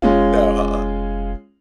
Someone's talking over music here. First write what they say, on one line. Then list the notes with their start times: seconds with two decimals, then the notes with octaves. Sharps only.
No, uh-uh,
0.02 F1 G#3 C#4 F4